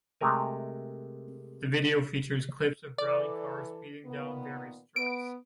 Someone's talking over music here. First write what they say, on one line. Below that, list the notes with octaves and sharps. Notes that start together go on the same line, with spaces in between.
The video features clips of rally cars speeding down various tracks.
C3 G#3 A3 A#4 G#5
E3 A4 D5
A#2 D#3 B3
B3 D7